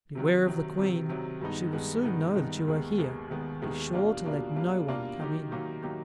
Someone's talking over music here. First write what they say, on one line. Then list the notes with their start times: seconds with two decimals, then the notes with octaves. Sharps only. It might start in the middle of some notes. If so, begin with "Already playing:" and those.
"Beware of the Queen; she will soon know that you are here; be sure to let no one come in."
0.15 C3 D#3 F#3
0.47 C3 D#3 F#3
0.77 C3 D#3 F#3
1.09 C3 D#3 F#3
1.41 G2 D#3 G#3 B3 D#4
1.73 G2 D#3 G#3 B3 D#4
2.03 G2 D#3 G#3 B3 D#4
2.35 G2 D#3 G#3 B3 D#4
2.68 D#2 D#3 G#3 B3
2.98 D#2 D#3 G#3 B3
3.30 D#2 D#3 G#3 B3
3.62 D#2 D#3 G#3 B3
3.93 B2 G3 A#3 D4 F4
4.25 B2 G3 A#3 D4 F4
4.56 B2 G3 A#3 D4 F4
4.88 B2 G3 A#3 D4 F4
5.20 D#3 F#3 A#3 D#4 G4
5.51 D#3 F#3 A#3 D#4 G4
5.83 D#3 F#3 A#3 D#4 G4